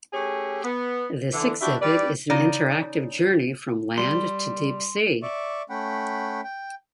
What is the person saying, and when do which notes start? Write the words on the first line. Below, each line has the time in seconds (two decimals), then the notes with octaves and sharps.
This exhibit is an interactive journey from land to deep sea.
0.14 A3 C#4 G4 G#4
0.64 B3
1.33 D3 E3
1.61 D4 E4 F#4 G4
1.82 G3 B4 D5
2.30 C#3 D#4 D5
3.98 G3 C6
5.23 D5 E5 C#6 D6
5.70 A3 C#4 F#5 G5 B5
6.44 G5